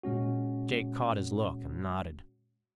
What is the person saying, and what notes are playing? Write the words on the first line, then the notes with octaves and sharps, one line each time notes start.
Jake caught his look and nodded.
A#2 G#3 C#4 F#4